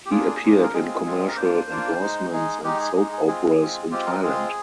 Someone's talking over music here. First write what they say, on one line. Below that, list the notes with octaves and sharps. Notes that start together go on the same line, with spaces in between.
He appeared in commercial endorsements and soap operas in Thailand.
G4
A#3 D4 F4 G#4
A#3 D4 F4
A#4
G#3 C4 F4 G#4
G#3 C4 F4
A#4
A#3 D4 F4 C5
A#3 D4 F4
G#3 D#4
G#3 D#4 G#4
G#3 D#4 G4
G#4
G#3 D#4 G#4
G#4
G#3 C4 F4 G#4
G#3 C4 F4
G#3 C4 F4 G4
A#4
G#3 C4 F4 G#4